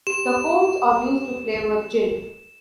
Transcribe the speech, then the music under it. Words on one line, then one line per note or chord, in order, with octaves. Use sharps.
The cones are used to flavor gin.
G4 E7